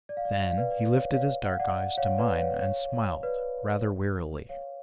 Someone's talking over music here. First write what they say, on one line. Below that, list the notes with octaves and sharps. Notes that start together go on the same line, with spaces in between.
Then he lifted his dark eyes to mine, and smiled, rather wearily.
D5
F5
D5
F5
D5
F5
B4 D5
B4 D5
C#5 F5
C#5 F5
F#5
F5
D5 F#5
C#5 F5
B4 D5
C#5 F5
C#5 F5
B4 D5
C#5 F5